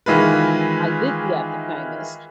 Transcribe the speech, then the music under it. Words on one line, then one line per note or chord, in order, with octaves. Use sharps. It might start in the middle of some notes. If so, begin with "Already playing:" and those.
I did the act of kindness.
D#3 E3 G#3 F4 B4